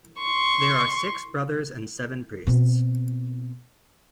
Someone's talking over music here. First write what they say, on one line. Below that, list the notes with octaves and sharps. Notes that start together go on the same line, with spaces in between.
There are six brothers and seven priests.
C6 C#6
B2 C4